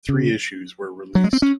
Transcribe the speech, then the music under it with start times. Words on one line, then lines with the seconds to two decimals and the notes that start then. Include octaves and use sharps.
Three issues were released.
0.09 C#3
1.15 F#3
1.24 G#3
1.33 C4
1.42 C#4